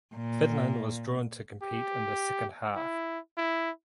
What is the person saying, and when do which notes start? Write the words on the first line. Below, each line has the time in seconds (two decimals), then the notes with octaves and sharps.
Finland was drawn to compete in the second half.
0.16 A#2
1.62 G4
2.76 E4
3.37 E4